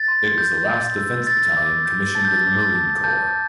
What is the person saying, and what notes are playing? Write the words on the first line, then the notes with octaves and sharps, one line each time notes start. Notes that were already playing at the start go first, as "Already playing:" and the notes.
It was the last defense battalion commissioned in the Marine Corps.
Already playing: A6
C6
G6
G6
E6
G6 A6
D6
G6
A5 A6
G6
A6
D6
A6
A5
A5 G6